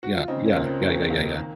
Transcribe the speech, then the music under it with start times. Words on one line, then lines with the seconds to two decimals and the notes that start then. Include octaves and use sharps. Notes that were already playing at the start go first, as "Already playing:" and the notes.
yeah, yeah, yeah, yeah, yeah, yeah.
0.03 F#4
0.15 F4
0.28 C#3 C4 D#4
0.46 A#3 C#4
0.55 C#2
0.64 C4
0.82 C#3 A#3
0.90 C4
0.97 A#3
1.10 C#2
1.36 D#3